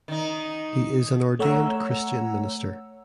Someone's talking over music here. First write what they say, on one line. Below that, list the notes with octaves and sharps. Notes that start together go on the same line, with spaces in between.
He is an ordained Christian minister.
D#3 D#4
A3 C#5 F#5 A#5 E6